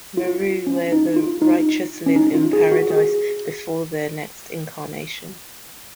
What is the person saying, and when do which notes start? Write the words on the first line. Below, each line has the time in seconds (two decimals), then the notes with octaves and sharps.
Meru where the righteous live in paradise before their next incarnation.
0.17 F4
0.67 C#4
0.92 D#4
1.16 F4
1.42 D#4
2.06 C#4
2.16 D#4
2.34 F4
2.53 G#4
2.72 F#4
2.90 G#4